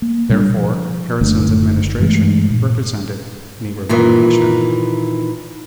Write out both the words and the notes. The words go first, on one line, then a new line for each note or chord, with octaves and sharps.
Therefore, Harrison's administration represented "Negro Domination."
A#3
B2 G3 D4
F3
F#1 D3 A3 D4
G2 E3 G#3 A3
A#2
A#2 D#3 E3